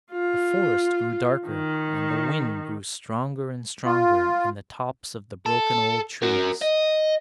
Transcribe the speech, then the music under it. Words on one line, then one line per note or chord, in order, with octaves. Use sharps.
The forest grew darker and the wind grew stronger and stronger in the tops of the broken old trees.
F4
D#3
F4
A4
F#4 A#4
D#5